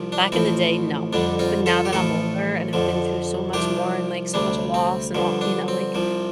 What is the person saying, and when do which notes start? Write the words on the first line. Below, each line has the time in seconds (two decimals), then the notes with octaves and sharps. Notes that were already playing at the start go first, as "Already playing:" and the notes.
back in the day, no, but now that I'm older, and have been through so much more and, like, so much loss and all you know, like,
Already playing: C2 C3 F3
0.12 D4
0.32 A1 A2 F3 C4
1.13 F2 D3 G3 D4
1.39 C4 F4
1.66 F4 A4
1.85 G4
1.93 A1 A2 F3 F4 A4
2.73 F2 D3 F3
3.53 C2 C3 F3 D4 G4
4.34 D2 C3 G3 D4
4.74 C4
5.15 G2 D3 F3
5.41 D4
5.68 C4
5.95 C2 C3 F3